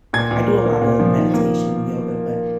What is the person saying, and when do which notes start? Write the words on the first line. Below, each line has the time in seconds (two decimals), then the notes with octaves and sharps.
I do a lot of meditation and yoga, but
0.13 A#2 G#6
0.31 A#2
0.47 A#3
0.65 A#3
0.82 A#2
0.99 F3
1.16 D#3
1.34 A#3